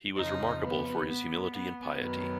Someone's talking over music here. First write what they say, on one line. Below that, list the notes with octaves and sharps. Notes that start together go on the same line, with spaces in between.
He was remarkable for his humility and piety.
F2 C#3 F3 D#4
B3
B3
B3
F#2 D#3 F#3 B3